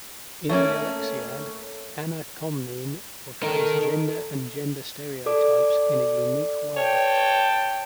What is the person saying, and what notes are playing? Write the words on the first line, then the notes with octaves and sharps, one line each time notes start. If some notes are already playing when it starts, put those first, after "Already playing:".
In the "Alexiad", Anna Komnene portrays gender and gender stereotypes in a unique way.
A3 A#3 C#4 C#5
D#4 A4 A#4
A4 D5 D6
C#5 G5 A5